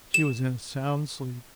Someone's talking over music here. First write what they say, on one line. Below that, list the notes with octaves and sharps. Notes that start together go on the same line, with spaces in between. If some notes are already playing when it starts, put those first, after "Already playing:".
She was in a sound sleep.
E7